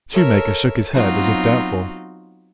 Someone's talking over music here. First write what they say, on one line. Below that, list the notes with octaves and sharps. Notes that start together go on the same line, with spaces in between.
The shoemaker shook his head as if doubtful.
A4 A#4 C#5 E5
F#3 B3 C4 D#4 F4 F#4